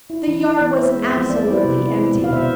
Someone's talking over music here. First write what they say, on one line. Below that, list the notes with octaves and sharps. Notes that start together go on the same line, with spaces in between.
The yard was absolutely empty.
E4
E3
E4
E3
B3 C5 E5
G#3
C5 E5
F3
C4 D5
C5
E4
B4 D5
C3
E4
E4
B2
F5
B3 C5 E5